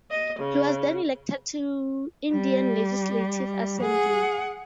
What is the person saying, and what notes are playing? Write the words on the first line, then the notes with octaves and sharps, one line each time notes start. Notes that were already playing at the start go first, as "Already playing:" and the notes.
He was then elected to Indian Legislative Assembly.
D#5
C#3
G3
G#4 F#5